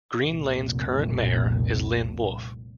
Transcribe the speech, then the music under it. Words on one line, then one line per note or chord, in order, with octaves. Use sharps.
Green Lanes current Mayor is Lynn Wolfe.
F1 C2 A#2